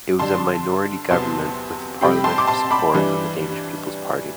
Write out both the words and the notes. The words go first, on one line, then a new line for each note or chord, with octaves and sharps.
It was a minority government with the parliamentary support of the Danish People's Party.
G2 D3 G3 D4 A5 C6
E2 C3 F#3 B3 A5 C6
C3 G3 C4 G5 B5
A5 C6
D6
A5 C6
B5 D6
G2 E3 G3 D4